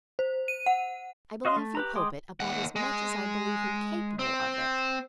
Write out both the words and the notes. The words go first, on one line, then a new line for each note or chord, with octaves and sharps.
"I believe you hope it about as much as I believe him capable of it."
C5
D#7
F#5
F#4 D#5 F5 C6
A3
G4 B4 A#5
G#3 G5 C6 D6 D#6
D#2 F#5
G#3
C4